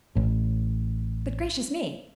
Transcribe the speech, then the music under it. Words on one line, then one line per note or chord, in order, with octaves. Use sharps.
But gracious me!
A1 A2